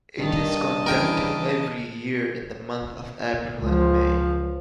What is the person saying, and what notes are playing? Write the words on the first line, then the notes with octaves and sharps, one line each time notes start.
It is conducted every year in the month of April and May.
G2 D#3 D#5 A5
C#3 E3 A#4 G5
C#2 F3